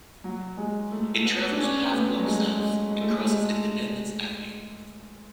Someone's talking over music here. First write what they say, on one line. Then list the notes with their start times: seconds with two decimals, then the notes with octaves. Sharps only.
It travels a half block south, and crosses Independence Avenue.
0.24 F#3
0.57 G#3
0.92 A3
1.14 A3
1.25 B3
1.51 D4
1.59 C#4
1.83 B3
1.91 A3
2.18 F#3
2.25 G#3
2.59 G#3
2.92 G#3
3.01 A3
3.09 G#3
3.19 A3
3.28 G#3